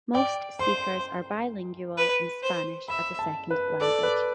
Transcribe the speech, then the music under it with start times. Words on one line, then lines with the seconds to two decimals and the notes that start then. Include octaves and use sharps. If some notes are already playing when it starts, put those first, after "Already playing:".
Most speakers are bilingual in Spanish as a second language.
0.14 D5 G5
0.59 C5 C6
1.98 B4
2.43 C5
2.88 E5 B5
3.19 A5
3.51 B4
3.81 A4 D5
4.03 B4